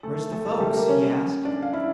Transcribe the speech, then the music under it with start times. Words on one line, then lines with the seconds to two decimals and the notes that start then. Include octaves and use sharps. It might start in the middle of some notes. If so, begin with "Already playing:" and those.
"Where's the folks?" he asked.
0.03 A3 A4
0.32 A3 A4
0.46 A3 A4
0.60 G3 G4
0.74 A#3 A#4
0.88 C#4 C#5
1.45 D4 D5
1.62 F5
1.73 E4 E5